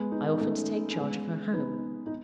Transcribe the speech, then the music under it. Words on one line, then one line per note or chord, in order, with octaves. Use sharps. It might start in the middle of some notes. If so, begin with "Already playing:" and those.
I offered to take charge of her home.
Already playing: G#3 B3
B3 D#4
D#4
A3 C#4
C#4
G#3 B3
B3 D#4
D#4